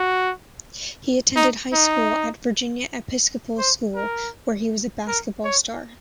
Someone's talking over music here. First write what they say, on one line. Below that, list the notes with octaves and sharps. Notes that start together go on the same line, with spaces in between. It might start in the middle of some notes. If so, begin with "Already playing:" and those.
He attended high school at Virginia Episcopal School, where he was a basketball star.
Already playing: F#4
D#4
D#4
C5
A#4
A#4
C#5